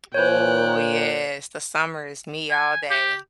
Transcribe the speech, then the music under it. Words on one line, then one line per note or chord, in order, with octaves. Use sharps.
Ooh, yes, the summer is me all day.
A#2 C5 C#5 G5 F#6 G6
G#5
G4